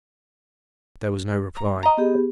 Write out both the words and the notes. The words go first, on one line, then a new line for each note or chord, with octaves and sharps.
There was no reply.
A#5
D#5 A#5
B3 G4 G#4